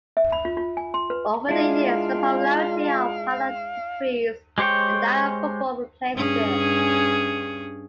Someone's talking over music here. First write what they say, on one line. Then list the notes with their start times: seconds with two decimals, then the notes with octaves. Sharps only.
Over the years the popularity of pallone decreased and that of football replaced it.
0.17 E5
0.32 B5
0.45 F4
0.57 F4
0.77 G#5
0.94 C6
1.10 B4
1.49 G#3 D4 E4 F4 F5
4.58 G#3 G4 C5 C#5 G5
6.15 G2 C#4 G#4